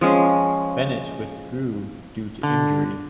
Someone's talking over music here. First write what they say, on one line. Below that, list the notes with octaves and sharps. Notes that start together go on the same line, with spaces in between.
Bennett withdrew due to injury.
F3 G#3 C#4
D3